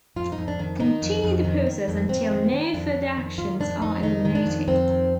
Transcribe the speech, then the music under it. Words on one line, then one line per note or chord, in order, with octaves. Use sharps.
Continue the process until no further actions are eliminated.
F2 F4
D#4
F2
D4
D#3
D#3 D#4
F2
F2
D#3
D#3
F2
F2 C4
D#3
D#3
F2 D4
F2
D#3
D#3 F4
F2 D4
F2 D#4
D#3 D#4
D#3
D4
F2
F2 C4
D#3